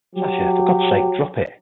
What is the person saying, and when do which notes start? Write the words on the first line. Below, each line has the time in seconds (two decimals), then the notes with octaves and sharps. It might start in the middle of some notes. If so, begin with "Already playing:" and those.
Sasha, for God's sake, drop it!
0.16 F#3 G4